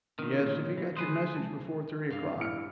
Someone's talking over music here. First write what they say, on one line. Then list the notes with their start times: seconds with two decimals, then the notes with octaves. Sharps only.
"Yes, if he got your message before three o'clock."
0.19 A#2 D#3 B3 D4 A#4
0.46 A3 C#5
0.77 E3
0.97 D3 F3 G#4 B4 C5 D#6
1.37 G#3 A5
2.10 G2 F5
2.39 E4 F6 C#7